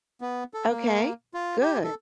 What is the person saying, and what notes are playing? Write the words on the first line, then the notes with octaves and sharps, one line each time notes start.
Okay. Good.
B3
A4
A#3
F4
G4
A4